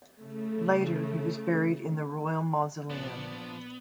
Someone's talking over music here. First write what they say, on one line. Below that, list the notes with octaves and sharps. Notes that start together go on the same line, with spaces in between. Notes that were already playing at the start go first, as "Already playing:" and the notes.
Later he was buried in the royal mausoleum.
C#3 A3
A#1 F3 B3 D4 D5